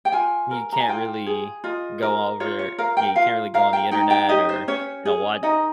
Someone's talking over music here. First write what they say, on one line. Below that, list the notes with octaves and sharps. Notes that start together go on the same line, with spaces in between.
You can't really go over Yeah, you can't really go on the Internet or, you know, what
G5
F4 G#5
A#4
A#5
G#5
F4 G5
G#4
F4 D#5
A#4
F4 C#5
C#5
A#4 F5
G5
F4 F5
A#4 F5
G5
D#4 G5
G5
G4 D#5
C5
C#4 C#5
G#4
D#4 D#5